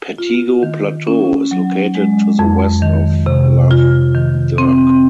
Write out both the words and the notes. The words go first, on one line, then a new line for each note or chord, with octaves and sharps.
Pettigo Plateau is located to the west of Lough Derg.
F4
D#3
C#4
F#3
G#3
F2
D#3
C3
F4
D#3
C4